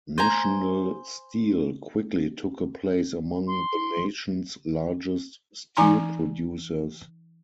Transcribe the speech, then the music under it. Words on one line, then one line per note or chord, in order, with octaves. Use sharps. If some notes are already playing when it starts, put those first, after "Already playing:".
National Steel quickly took a place among the nation's largest steel producers.
C5 G#5 A#5
C6
E3 D#4 G#5 A#5 C6